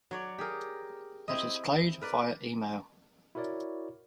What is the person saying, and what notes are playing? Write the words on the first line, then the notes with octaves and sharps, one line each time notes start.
It is played via email.
F#3 C#5 D5
G4 G#4 A#4
C4 E4 D#5
A#4 B4 D5
E4 F#4 A#4 C#5 D5